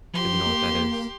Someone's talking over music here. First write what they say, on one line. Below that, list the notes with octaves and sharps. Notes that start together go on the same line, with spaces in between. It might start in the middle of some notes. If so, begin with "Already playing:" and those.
if you know what that is.
F3 G4 C6
A#3